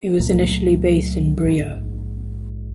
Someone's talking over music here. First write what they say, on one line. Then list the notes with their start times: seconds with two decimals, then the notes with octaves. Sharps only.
It was initially based in Bria.
0.20 C#2 A#2 F#3 A3
1.43 A#1 G#2